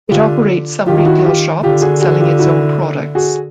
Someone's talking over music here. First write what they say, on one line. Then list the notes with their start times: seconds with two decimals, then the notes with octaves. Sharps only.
It operates some retail shops selling its own products.
0.10 D3 F4 G4
0.87 D#3 F4 G4
0.98 F4
1.06 E4 F#4
1.19 F#4
1.25 F4 G4
1.63 D3 F4 G4
1.82 F#4 G#4
2.01 F#4 G#4
2.20 F4 G4
2.39 E4 F#4
3.15 F#4 G#4